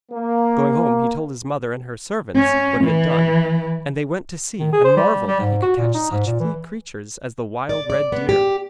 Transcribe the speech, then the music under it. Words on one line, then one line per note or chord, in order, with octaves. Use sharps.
Going home, he told his mother and her servants what he had done, and they went to see, and marvelled that he could catch such fleet creatures as the wild red deer.
A#3
C#4
E3
D#3
G#4
C5
G3
G3
G#2
F#4
A#2
D#4
G#2
A#2
E3
D5
D5
B3
G4